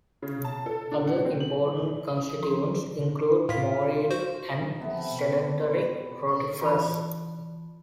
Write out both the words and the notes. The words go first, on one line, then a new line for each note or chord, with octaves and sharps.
Other important constituents include motile and sedentary Rotifers.
C#3
A5
A4
D4
F#5
C4
F#7
E3
D#6
C6
A2 F4 B6
F#4 C5
C3 B3 A4 B4
E3 F4 D5 A5 B5